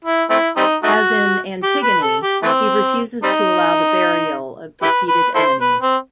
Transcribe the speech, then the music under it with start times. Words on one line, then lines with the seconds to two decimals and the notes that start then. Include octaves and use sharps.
As in "Antigone", he refuses to allow the burial of defeated enemies.
0.04 E4
0.30 A3 C4 E4
0.57 G3 C4 D#4
0.83 A3 D#4 F#4
1.63 G4
1.83 B4
2.03 A4
2.23 G4
2.42 E3 A3 C4
3.23 G3 C4 D#4
4.82 E4 G4 B4
5.09 B4
5.35 E4 A4 C5
5.61 B4
5.82 C4